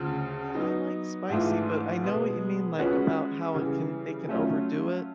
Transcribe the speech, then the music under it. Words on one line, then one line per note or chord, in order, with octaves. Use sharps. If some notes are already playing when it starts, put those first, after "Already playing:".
Yeah, I like spicy, but I know what you mean, like about how it can they can overdo it,
Already playing: D2 C#3 F3
F#3 B3 D#4
G#2 E3 A3 D4 F4
B2 G#3 B3
F3 G#3 C#4 F#4 B4
C#3 E3 G3
F#3 A3 C#4 F4